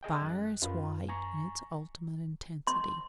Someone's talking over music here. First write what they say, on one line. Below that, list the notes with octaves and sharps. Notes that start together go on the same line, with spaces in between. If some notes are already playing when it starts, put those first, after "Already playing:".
Fire is white in its ultimate intensity.
G#4 D#5 G5
F#2 F#6
F#2 F4 B4
G#5 A#5 C#6
C6